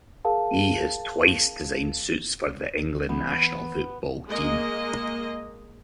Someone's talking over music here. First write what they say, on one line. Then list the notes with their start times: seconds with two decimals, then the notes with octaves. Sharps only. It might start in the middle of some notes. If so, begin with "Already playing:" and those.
He has twice designed suits for the England national football team.
0.25 G#4 A#4 F5 A5
3.09 E2 B3
4.27 G#3 A#3 D#5